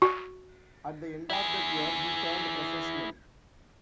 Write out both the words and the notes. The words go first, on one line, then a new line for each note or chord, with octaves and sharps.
At the end of that year he turned professional.
F#4
E4 G#4